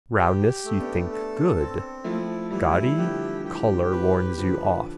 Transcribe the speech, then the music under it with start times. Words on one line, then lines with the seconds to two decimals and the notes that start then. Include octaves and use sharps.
Roundness you think good. Gaudy colour warns you off.
0.18 G4
0.65 A3
0.80 B3 D4
1.12 A4
1.59 C4
2.04 F3 A3 E4
2.51 E3 G3 E4
2.98 D3 F3 G4
3.44 E3 G4
3.91 E3 B4
4.37 D3 F3 B4